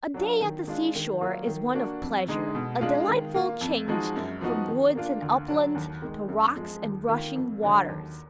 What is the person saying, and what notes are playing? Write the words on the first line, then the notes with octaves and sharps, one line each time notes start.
A day at the seashore is one of pleasure, a delightful change from woods and uplands to rocks and rushing waters.
F#3 D4 F4
D#3
G#3 D4 F4
D#3
F#3 A#3 F4
D#3
A#3 D4 F#4
F2
D3 G#3 D#4
B2
G#3 D4 F4
D#3
A#3 F4
F2
F3 G#3 D#4 F#4
F#2
F3 B3 D#4 F#4
D#3
A#3 D4 F4
D2
D3 F#3 D4
D#2
D#3 G#3
F#2
F3 G#3
D#2
D#3 A#3 F4
F2
D3 F#3 D4
D#2